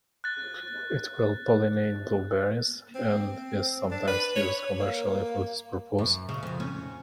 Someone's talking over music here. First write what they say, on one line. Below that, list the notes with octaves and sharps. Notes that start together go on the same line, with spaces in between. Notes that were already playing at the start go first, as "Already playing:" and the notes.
It will pollinate blueberries, and is sometimes used commercially for this purpose.
F#6 A6
C4
D4
B4
C#5
A#3
F#2
C#3
F2
C#4